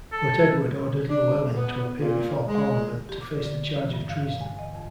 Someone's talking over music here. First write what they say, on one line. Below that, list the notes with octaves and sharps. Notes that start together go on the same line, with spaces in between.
But Edward ordered Llywelyn to appear before Parliament to face the charge of treason.
A4
D4
B3
A#2
G#3
G4
D6
D3
E3
G2
F5
F5
G#5
D#5
F2